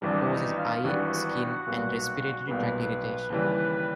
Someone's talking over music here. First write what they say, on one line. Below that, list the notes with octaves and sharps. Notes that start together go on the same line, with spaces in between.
Causes eye, skin, and respiratory tract irritation.
G#1 G2 E3 G3 D4
D#4
F4
G#1 G2 E3 G3 F#4
B1 A#2 G3 B3
B1 A#2 G3 B3 B4
D#2 C#3 E3 G3